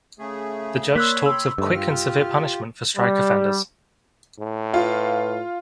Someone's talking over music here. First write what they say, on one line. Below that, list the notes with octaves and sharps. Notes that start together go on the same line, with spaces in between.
The judge talks of quick and severe punishment for strike offenders.
C#3 A3 G#4
A#3 C#5 D5 B5 C6 E6 F#6 B6
G5 E6
G2 D3 D#3 A3
F4 G4 F6
G3
A2
F4 B4